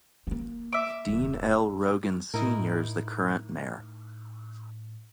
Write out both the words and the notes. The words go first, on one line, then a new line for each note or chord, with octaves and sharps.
Dean L Rogan Senior is the current mayor.
A#3 B3
E5 D6
D#1 F#2
A2 D#4 E4 A#4